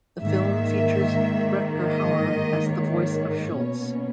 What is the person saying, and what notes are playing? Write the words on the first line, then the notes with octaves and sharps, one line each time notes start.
The film features Rutger Hauer as the voice of Schultz.
G#2 D#3 A#3 E5
D#5
C#5
B2 A#3 C#4